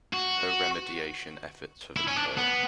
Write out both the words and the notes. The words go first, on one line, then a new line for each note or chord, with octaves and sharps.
No remediation efforts have occurred.
F#4
E4
C#4
D4
B3